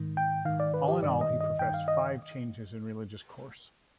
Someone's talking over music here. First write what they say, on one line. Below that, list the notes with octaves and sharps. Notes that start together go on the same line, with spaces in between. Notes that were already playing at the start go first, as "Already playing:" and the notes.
All in all, he professed five changes in religious course.
Already playing: G#2 D#3
G5
G#2 D#3 F5
D5
B4
G4
G2 D#3 D5
D#5
D#5
G2 D#3 G5
F5
D#5